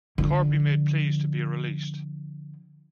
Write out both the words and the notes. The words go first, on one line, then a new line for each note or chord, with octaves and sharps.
Corby made pleas to be released.
D3 F3